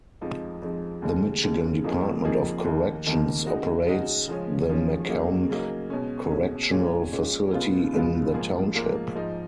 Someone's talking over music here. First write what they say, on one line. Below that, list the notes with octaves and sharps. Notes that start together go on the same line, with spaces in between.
The Michigan Department of Corrections operates the Macomb Correctional Facility in the township.
F2 F3 G#3 D#4
F2 F3 G#3 D#4
D#2 C#3 G#3
D#2 C#3 G#3
F2 F3 A#3 D#4 G#4
F2 F3 A#3 D#4 G#4
D#2 D#3 A#3
D#2 D#3 A#3
C#3 G#3 D#4 F#4
C#3 G#3 D#4 F#4
C#3 F3 G#3 C#4
C#3 F3 G#3 C#4
C#3 F#3 A#3 D#4
C#3 F#3 A#3 D#4
B2 G#3 C#4
B2 G#3 C#4
A#2 G#3 C#4
A#2 G#3 C#4
C#2 B2 G#3 B3 F4
C#2 B2 G#3 B3 F4
G#2 F3 A#3 F4 G#4
G#2 F3 A#3 F4 G#4
G#2 F3 G#3 D#4